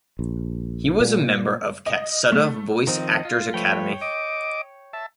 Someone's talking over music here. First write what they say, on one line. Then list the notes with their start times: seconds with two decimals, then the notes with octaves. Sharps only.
He was a member of Katsuta Voice Actor's Academy.
0.19 A#1
1.00 A#2
1.86 D#5
2.32 A3
2.87 D#3 F3 C4 D#5
3.25 F4
3.54 F3 A3 B4 C#5 G5
4.01 D#5 D6
4.93 E5 A5